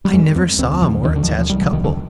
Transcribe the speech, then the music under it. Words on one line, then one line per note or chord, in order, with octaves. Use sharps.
I never saw a more attached couple.
G3
F2 G#3
F2 C4
D2 C4
D2 F3
D#2 D#3
D3
F3
D#2 D#3
F3
C2 G3
F3
C2 D#3
D3